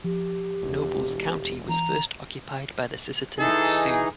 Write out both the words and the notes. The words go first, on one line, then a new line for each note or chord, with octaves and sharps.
Nobles County was first occupied by the Sisseton Sioux.
F3 G4
E1
E3 A#5
E3 D#4 G#4 A4